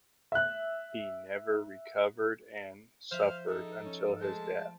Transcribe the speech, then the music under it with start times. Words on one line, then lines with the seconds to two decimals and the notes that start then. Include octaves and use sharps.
He never recovered and suffered until his death.
0.32 E5 F#6
3.11 F3 C5 E5 F5 F6 G6
3.47 D#4 G#4 A4
3.85 C#4
4.21 G#3 A3 C5 A5